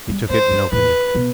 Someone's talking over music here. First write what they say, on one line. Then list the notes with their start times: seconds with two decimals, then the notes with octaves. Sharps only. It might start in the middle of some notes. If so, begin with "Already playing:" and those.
He took it and opened it.
0.09 G3
0.30 A3 C5
0.51 G3
0.72 A2 B4
1.15 B2